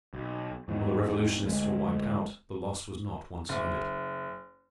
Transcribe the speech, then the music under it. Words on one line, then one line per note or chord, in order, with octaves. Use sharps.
While the revolutionists were wiped out, the loss was not one-sided.
B1
E2 G#2 D#3
D2 G3 G#3
F#1